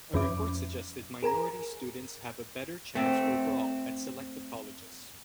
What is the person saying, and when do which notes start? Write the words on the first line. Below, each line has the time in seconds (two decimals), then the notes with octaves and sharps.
A report suggested minority students have a better chance overall at selective colleges.
0.14 F2 F3 C#4 E5 D6
1.23 G#4 A#4 G#5 A#5
2.95 A3 C4